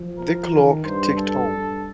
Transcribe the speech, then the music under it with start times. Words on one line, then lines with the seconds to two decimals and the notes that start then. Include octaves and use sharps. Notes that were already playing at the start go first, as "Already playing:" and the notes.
The clock ticked on.
Already playing: F3
0.19 A#4
0.52 D#3
0.84 G2 C5
1.18 A4
1.50 G2